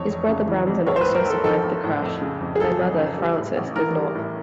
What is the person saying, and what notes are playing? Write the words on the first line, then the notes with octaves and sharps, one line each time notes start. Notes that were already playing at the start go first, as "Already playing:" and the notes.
His brother Brandon also survived the crash, but their mother, Frances, did not.
Already playing: F2 E3 C#5
F1
C#3
E3
F2
B1 C#5
C5
A2 B4
A#4
B1 A4
F3 A4
B1
A2
F2
C#3
F2
G#4
F#3 A4
F2
C#3
G3
A2
A1
E3 A#4
G3
A2